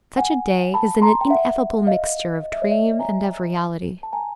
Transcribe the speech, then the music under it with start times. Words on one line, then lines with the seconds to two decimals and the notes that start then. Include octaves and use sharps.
Such a day is an ineffable mixture of dream and of reality.
0.18 F#5 G#5
0.74 A5 B5
1.02 A#5 C6
1.21 G5
1.30 E5 F#5
1.87 D#5 F5
2.43 D#5
2.53 E5
2.62 C#5 D#5
2.71 D5 E5
2.99 G#5 A#5
4.03 A5
4.13 G#5 A#5